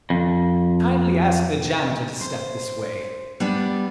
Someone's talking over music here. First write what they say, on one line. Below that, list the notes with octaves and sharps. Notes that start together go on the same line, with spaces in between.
"Kindly ask the janitor to step this way."
F2
C5
G3 B3 D4